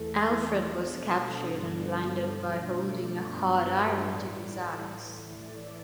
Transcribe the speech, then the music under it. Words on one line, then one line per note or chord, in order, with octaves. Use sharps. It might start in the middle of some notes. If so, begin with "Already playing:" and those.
Alfred was captured and blinded by holding a hot iron to his eyes.
Already playing: E2 E3 A3 A4
A4
B2 B3 D4 A4
G2 D3 G3 B3 D4 A4 D5
B2 A3 D4
A4 D5
G2 G3 B3 D4
G4 B4
A2 E3 G3 A4 D5
A2 E3 A3
A4 D5